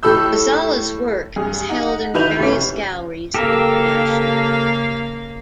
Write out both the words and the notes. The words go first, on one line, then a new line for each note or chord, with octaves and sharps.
Ghazala's work is held in various galleries internationally.
A2 G4 A4 B5 E6 G6
G2 G#4
D#4 F#5
D#3 E4 B4 G6 F7
F1 C#4
C#3 A#3 G4 A4 A#4 F5